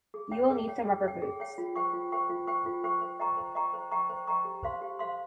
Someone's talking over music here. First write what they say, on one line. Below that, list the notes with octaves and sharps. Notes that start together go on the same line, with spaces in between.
You will need some rubber boots.
G#4
C#5 G5
G#4
C#5 G5
G#4
C#5 G5
G#4
C#5 G5
F4
C5 G5 C#6
F4
C5 G5 C#6
F4
C5 G5 C#6
F4
C5 G5 C#6
C5
D#5 G5 A#5 C#6
C5
D#5 G5 A#5 C#6
C5
D#5 G5 A#5 C#6
C5
D#5 G5 A#5 C#6
G4
C5 F5 C6
G4
C5 F5 C6